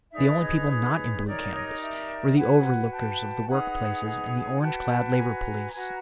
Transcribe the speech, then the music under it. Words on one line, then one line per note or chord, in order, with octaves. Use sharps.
The only people not in blue canvas were the overlookers of the work-places and the orange-clad Labour Police.
D#4 G#4 B4 D5 E5
C#5 D#5
C#5
D#4 G4 A#4 C#5 D5
C#5 D#5
D5 E5
F#4 B4 F#5 G#5
G5 A5
D#4 G#4 B4 F#5 G#5
F#5 G#5
F#4 B4 G5 A5
G#5 A#5
F#4 B4 G#5 A#5